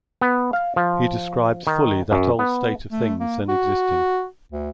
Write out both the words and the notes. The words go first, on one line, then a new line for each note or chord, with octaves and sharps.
He describes fully that old state of things then existing.
B3
F5
F3
D#3
F#2
B3
A3
A#3
F#4
D2